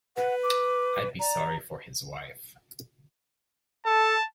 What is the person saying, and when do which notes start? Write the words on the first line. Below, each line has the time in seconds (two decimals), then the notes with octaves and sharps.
I'd be sorry for his wife.
0.16 B4 F#5
0.44 D6
1.19 D5 A#5
3.86 A4 A5